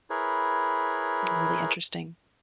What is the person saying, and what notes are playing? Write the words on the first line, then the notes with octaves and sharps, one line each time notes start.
really interesting.
E4 G#4 A#4 B4 C#5